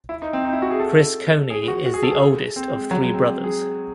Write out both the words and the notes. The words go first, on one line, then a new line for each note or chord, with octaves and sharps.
Chris Coney is the oldest of three brothers.
E4
D#4
C4
D#4
E4
F#4
G#4
A4
G#4
F#4
F#4
G#4
A4
G#4
C4
G#3
F#3
G#3
C4
G#4